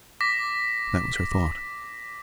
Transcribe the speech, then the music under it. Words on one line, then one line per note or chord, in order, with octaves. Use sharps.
That was her thought.
D6 A#6 B6